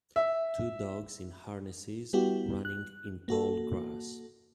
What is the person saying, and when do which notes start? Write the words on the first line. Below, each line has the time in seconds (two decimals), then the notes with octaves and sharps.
Two dogs in harnesses running in tall grass.
0.16 E5
2.13 G3 B3 E4 F#4 G4
2.65 F#6
3.28 A#3 F#4 A4